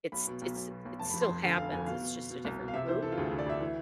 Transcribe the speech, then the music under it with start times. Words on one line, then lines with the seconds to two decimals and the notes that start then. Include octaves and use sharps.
it s it s it still happens, it's just a different group.
0.12 B1 B5
0.27 B2
0.42 B1
0.56 B1
0.71 B2
0.85 B1
0.99 F1 A5
1.10 F2 B5
1.21 C6
1.28 F2
1.43 D3 G#5
1.57 F1 F5
1.72 F2 G#5
1.86 B2 F5
2.01 B2
2.15 B2
2.30 B2
2.45 C2
2.59 B2
2.68 F5
2.74 C3 E5
2.88 E3 C5
3.02 E3 A4
3.12 F4
3.18 D2 G#4
3.31 D2
3.39 D5
3.46 D2 E5
3.61 E3